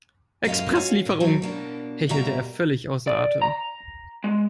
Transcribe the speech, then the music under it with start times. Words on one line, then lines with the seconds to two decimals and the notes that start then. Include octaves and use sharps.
"Expresslieferung", hechelte er, völlig außer Atem.
0.45 F#2 A2 A#3 A#4 D#5 F5
0.75 C#4 F4 F#4
1.05 A#2
1.20 D#2 E3 F#3 C4
1.42 B2 A#3 D4
2.09 B2 G3 A#3 E5 G5 A#5
3.07 D5
3.42 A#5
4.24 G#3